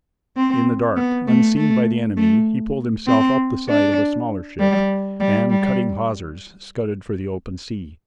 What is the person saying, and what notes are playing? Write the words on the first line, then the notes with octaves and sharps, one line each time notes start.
In the dark, unseen by the enemy, he pulled himself up the side of a smaller ship, and, cutting hawsers, scudded for the open sea.
C4
B3
A3
A3
A3
C4
D4
G3
G3
G3